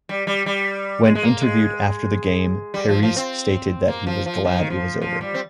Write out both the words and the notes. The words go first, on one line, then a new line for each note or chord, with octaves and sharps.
When interviewed after the game, Parise stated that he was glad it was over.
G3
G3
G3
G#3
G#3
A#3
G#3
G3
F3
F3
C4
A#3
F3
F3
F3
D#3
F3
F3
G3
C4